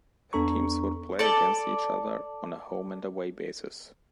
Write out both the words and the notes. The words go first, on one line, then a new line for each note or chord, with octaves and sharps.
The teams would play against each other on a home-and-away basis.
E2 B3 D4 A4 A#5 C#6
A4 D5